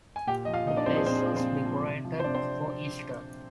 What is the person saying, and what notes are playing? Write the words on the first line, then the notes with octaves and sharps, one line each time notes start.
The place was decorated for Easter.
G#5
A#2 G4 G5
F3 D#5
F4 F5
A#2 D#4 D#5
D4 D5
F3 C4 C5
G#4
A#2 C4 C5
G#4
F3
C4 C5
A#2
F3
C3
F3
C5
C3 D4 D5
C4 C5